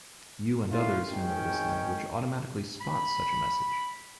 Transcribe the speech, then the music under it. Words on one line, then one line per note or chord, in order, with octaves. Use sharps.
You and others who know this language automatically spot such a message.
A3 C#4 E4 F4
G#1 D#3 G#3 C#4 G5
B5